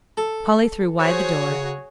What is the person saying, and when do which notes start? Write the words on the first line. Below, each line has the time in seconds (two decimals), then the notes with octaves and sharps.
Polly threw wide the door.
0.17 A4
0.99 F#4 G#4 C5 C#5
1.45 C#3